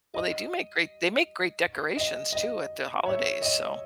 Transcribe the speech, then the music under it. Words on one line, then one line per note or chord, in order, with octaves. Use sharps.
Well, they do make great they make great decorations too at the holidays, so,
D#5
D#5
D#5
C#5 E5
D#5